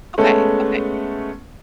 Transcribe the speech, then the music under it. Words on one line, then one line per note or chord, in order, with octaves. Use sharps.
Okay, okay.
G#3 A3 B3 C#4 A4